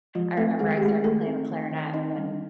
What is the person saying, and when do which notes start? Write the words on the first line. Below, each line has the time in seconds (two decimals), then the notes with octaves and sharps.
I remember I started playing the clarinet when
0.15 F3 G#3 F4
0.37 A3 C4 A4
0.59 D#3 G#3 G#4
0.77 G4
0.82 D#3 G#3 G#4
1.04 G#3 A3 A4
1.26 C4
1.49 D#3
1.71 D#3
1.94 C4 D#4 D#5
2.17 G3